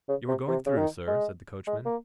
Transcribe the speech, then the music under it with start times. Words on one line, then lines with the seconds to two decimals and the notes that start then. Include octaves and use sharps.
'You are going through, sir?' said the coachman.
0.09 C#3
0.28 C3
0.48 C3
0.66 C#3
0.78 D#3
1.07 G#3
1.67 G#3
1.85 A#3